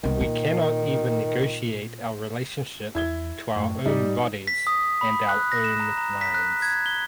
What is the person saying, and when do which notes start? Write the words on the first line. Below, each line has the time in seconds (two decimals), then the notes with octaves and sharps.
We cannot even negotiate our relationship to our own bodies and our own minds.
0.04 C2 D#3 B3
0.21 A#2
2.95 E2 E4 G#6 G7
3.56 F#2 A2
3.86 G#2 G3 D#4
4.47 B6
4.67 D#6
5.01 B5
5.29 F#6
5.52 A#6
5.64 E7
5.80 A#5
5.98 A#5
6.21 B6
6.34 F#6
6.62 G#6
6.86 G7